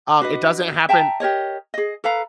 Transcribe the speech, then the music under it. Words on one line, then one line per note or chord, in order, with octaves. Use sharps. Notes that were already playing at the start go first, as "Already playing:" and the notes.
um, it doesn't happen
D4 F#4 B4 D#5
E5 G5 A5 A#5
G4 A#4 C#5 D#5
G#4 D#5
A4 B4 F5 A#5